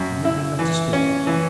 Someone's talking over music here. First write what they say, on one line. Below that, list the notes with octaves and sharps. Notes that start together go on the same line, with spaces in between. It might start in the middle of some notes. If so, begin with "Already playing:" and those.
Permit me not to speak.
Already playing: F#2
E4
E3
C#4
E3